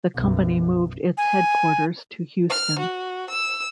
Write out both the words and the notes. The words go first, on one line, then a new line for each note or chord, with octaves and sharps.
The company moved its headquarters to Houston.
B1 F#2
G#5
F6
F#4
E6